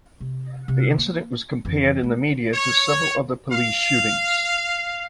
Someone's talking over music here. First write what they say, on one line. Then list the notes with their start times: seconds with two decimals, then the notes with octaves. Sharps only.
The incident was compared in the media to several other police shootings.
0.20 C3
0.68 C3
0.98 A#3
1.65 F2 E3
2.03 A3
2.53 C#5
3.50 F5